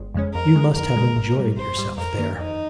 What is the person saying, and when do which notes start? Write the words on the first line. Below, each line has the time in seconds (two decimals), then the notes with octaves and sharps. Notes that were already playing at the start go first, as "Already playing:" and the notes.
You must have enjoyed yourself there.'
Already playing: G1 G#3
0.14 F2 C#3 G#3 C#4
0.34 F2 A#4
0.55 C#3 G#3
0.75 F2 A#4
0.96 C#3 G#3
1.16 G#1
1.36 G#2 G3
1.57 G#1 C5
1.77 G#2 G3
1.97 F2 A#4
2.17 D#3 A#3
2.38 F2 D#4